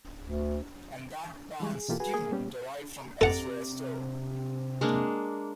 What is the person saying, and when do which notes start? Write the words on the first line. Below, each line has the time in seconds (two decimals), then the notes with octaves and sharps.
And that band's tunes derive from elsewhere still.
0.24 D2
1.60 E3 G3 G#3
1.75 G#4
1.88 B2 E3 A#3 F4 G4 A4
2.00 F#4 G#4 B4 G#5
2.13 A#3 G#4 A#4
2.32 G3 B3 C#4 G4
3.21 C3 A4 D5 F#5 A#5
4.81 G#3 A#3 D4